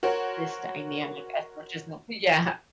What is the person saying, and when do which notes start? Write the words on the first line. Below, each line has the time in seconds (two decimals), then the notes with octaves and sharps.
this dynamic as much as I" Yeah.
0.03 F#4 A#4 C5 C#5